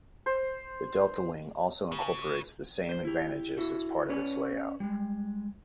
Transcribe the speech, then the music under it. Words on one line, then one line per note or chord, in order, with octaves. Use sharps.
The delta wing also incorporates the same advantages as part of its layout.
C5
C#3
C5
E4 G4
E4 F#4 A4
C#4 B4 C#5 D5
G3 G#3